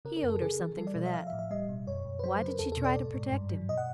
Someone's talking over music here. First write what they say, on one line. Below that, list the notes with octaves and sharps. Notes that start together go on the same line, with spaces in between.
He owed her something for that--why did she try to protect him?
C#3 A#4
A#4
F#2
A4
C#3 G#4
E3
G3 A4
D5
B2
E5
F3 F5
E5
A2
E5
G3 D#5
B2
F#2 C#5
F#2
B4
F#3 C5
B4
C#3
A#4
E2 A4
A4
B2
D5
G#2
G#2
G2
F#3
B2 D#5
F#5